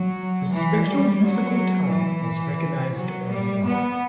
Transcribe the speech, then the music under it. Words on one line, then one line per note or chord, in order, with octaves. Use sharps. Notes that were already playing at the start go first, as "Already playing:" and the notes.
His special musical talent was recognized early on.
Already playing: F#3
E3
G3
F#3
E3
F#3
G3
B3